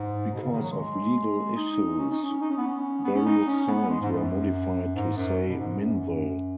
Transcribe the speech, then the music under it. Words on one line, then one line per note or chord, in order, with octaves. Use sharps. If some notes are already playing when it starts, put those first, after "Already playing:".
Because of legal issues, various signs were modified to say Minnville.
Already playing: G#2
B2
C#3
D#3
F#3
G#3
D#4
C#4
D#4
C#4
D#4
C#4
B3
C#4
B3
C#4
D#4
C#4
B3
G#3
G#2
F#2
G#2
F#2
B2
G#2
F#2